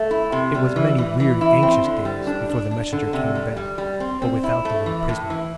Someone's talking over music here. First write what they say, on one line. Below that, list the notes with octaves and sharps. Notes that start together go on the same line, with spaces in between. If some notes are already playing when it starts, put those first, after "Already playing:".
It was many weary anxious days before the messenger came back, but without the little prisoner.
Already playing: A3
E4
C3
G3
E3
E3
E3
E4
C4
D3
G3
D4
D4
D4
D3
C3
G3
G3
G3
C4
C4
E4
A3
E3
A2
E3